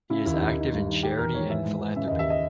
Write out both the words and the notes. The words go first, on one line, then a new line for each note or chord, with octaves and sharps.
He is active in charity and philanthropy.
C#3 E4
D#2 E4
D#4
D#2
D#3 D#4
G2
D#3
D#3 G4
E2 A#4
D#3 C#5
E3 E5
G#2
E3
C#3 E5
D#2 D#5
E5
D#5